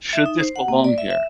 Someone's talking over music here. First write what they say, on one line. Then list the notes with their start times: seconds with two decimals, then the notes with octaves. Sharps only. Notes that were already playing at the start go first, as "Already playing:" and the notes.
"Should this belong here?"
0.13 E5
0.26 D#4
0.40 C5
0.56 F#5
0.68 A#3
0.84 D5
0.98 E5
1.10 E5